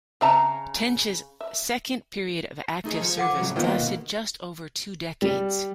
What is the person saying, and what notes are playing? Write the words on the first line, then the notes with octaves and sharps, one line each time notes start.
"Tench"’s second period of active service lasted just over two decades.
C#3 C4 E5 A5 A#5
E5
A3 D#4 G#4
F3 G#6 C#7
A4 F#5 D6
A2 C#3 F#3
D#3 A#3 B3 F4 A#4 C5 G5
B2
G3